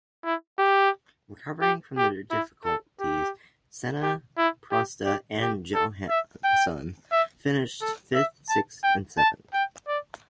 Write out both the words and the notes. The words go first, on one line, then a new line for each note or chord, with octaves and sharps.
Recovering from their difficulties Senna, Prost and Johansson finished fifth, sixth and seventh.
E4
G4
G4
G4
E4
A4
G4
G4
E4
G4
G4
G4
A4
E5
G5
E5
A4
E5
A5
G5
A5
G5
D5